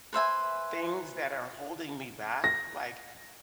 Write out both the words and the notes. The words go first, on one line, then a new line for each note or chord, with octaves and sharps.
things that are holding me back, like,
B4 C5 E5 G#5
A#6